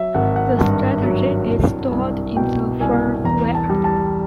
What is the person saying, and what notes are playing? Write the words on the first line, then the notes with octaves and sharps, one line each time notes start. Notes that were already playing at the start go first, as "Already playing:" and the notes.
The strategy is stored in the firmware.
Already playing: F#3 E5
G#1 F#5
F#5
G2
F#3
C2
C2
B2 G5
C2 G#5
E2 A#5
A5
G3
A5